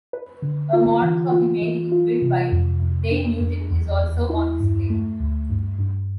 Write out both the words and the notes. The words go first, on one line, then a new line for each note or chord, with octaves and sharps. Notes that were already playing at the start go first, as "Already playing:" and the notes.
A model of the "Mary", built by Des Newton is also on display.
B4
D3
F4
E3
F4
E3
F4
C3
F2
F2
D4
F2
E2
E2
E4
G2
A3
D2
G2
G2